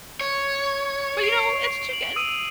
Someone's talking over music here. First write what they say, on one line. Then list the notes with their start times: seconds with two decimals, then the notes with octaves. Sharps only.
But, you know, it's chicken.
0.21 C#5
1.23 C7 D7 F7
1.93 F#7
2.16 D#6 E6 D#7